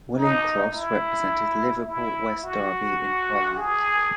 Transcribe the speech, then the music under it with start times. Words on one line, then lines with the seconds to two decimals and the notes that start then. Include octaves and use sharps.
William Cross, represented Liverpool West Derby in Parliament.
0.15 D#4
0.72 E4
1.86 E4
2.43 F#4
3.57 G#4